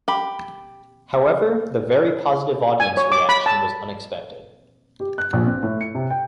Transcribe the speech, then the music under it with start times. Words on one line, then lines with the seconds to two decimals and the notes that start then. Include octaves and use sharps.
However, the very positive audience reaction was unexpected.
0.08 G4 B5
2.80 G#5
2.97 C#5
3.12 D6
3.29 B5
3.46 A5
5.00 G4
5.18 F#6
5.33 A#1
5.46 C4
5.63 A2
5.81 C#7
5.95 C3
6.10 G5